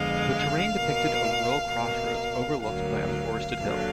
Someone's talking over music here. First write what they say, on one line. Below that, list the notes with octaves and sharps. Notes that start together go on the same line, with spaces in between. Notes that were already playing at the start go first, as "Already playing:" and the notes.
The terrain depicted a rural crossroads overlooked by a forested hill.
Already playing: F2 D3 G#3 B3 F5
B2 A#3
B2 A#3
D2 D3 F#3 A#3 F5
D#2 D3 F#3